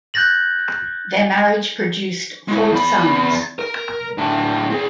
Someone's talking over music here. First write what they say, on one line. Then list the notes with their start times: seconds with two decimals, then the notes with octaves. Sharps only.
Their marriage produced four sons.
0.14 F#6 G6 A6 A#6 F#7
2.48 G#3 E4
2.72 E2 B5
3.59 A#4
4.18 A2 D4
4.70 C4 G#4